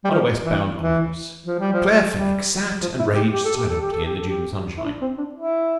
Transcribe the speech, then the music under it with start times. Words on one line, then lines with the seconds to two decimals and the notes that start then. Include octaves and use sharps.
On a west-bound omnibus Claire Fenwick sat and raged silently in the June sunshine.
0.04 G3
0.11 F3
0.45 E3
0.79 E3
1.46 F3
1.59 G3
1.73 F3
2.14 G3
2.82 F3
2.99 E4
3.15 G4
3.32 G4
3.45 A4
3.56 G4
3.69 A4
3.81 G4
3.92 A4
4.05 G4
4.16 A4
4.29 G4
4.77 E4
4.85 D4
5.01 C4
5.18 D4
5.35 E4